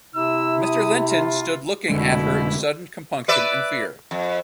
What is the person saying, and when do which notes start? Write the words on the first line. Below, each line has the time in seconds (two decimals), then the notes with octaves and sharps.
Mr. Linton stood looking at her in sudden compunction and fear.
0.15 C3 E4 E6
0.63 D#6
1.08 F4
1.89 F1 B2 D3 G#3 E4
3.28 B4 D5 E5
4.11 F2